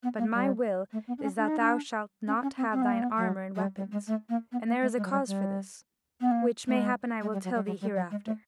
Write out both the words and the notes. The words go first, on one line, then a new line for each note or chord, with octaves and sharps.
But my will is that thou shalt not have thine armour and weapons; and there is a cause for this, which mayhappen I will tell thee hereafter.
B3
A#3
G3
A3
B3
D4
C#4
D4
D#4
D4
C#4
C#4
C4
C4
B3
A#3
B3
F#3
F#3
G3
G3
G#3
A3
A#3
B3
A#3
A3
G#3
F#3
G3
G3
B3
A#3
A3
G#3
G#3
G3
F#3
G3
F#3
G3
F#3
G#3
A3